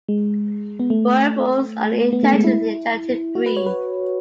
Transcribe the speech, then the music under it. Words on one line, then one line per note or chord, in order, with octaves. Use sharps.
Boerboels are an intelligent and energetic breed.
G#3
B3
A3
B3
A3
G#3
E4
F#4
B4
C#5
B4